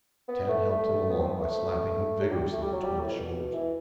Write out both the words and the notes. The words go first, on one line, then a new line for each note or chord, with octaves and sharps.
Tad helped him along by slapping him vigorously between the shoulders.
B3
A3
A3
B3
C4
B3
A3
F#3
G3
A3
G3
F#3
G3
A2
B2
E3